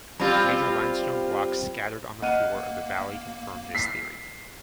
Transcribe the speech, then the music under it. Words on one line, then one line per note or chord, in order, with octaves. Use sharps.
Major limestone blocks scattered on the floor of the valley confirm this theory.
G3 C4 F4
A#3 D#5 F#5 F6 D#7
B6 C7